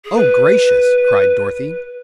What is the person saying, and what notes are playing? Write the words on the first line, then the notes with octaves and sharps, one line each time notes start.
"Oh, gracious!" cried Dorothy.
G#4
B4